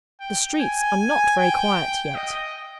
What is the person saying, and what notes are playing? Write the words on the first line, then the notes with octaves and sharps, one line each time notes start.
The streets are not very quiet yet.'
G5
G#5
G5
D#5